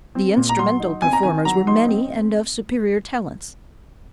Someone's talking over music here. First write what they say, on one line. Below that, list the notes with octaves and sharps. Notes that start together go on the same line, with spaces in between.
The instrumental performers were many and of superior talents.
C4
A#2
A#5
F#3 C6
D#4
C4 G#5
A#5
D#3 G#5
F#3 A#5
D#4 C6
C4